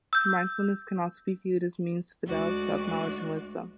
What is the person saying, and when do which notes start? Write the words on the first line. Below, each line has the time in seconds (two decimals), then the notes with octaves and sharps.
Mindfulness can also be viewed as a means to develop self-knowledge and wisdom.
0.13 E6 G6
2.27 D2 G#3 F#4 D5 F#6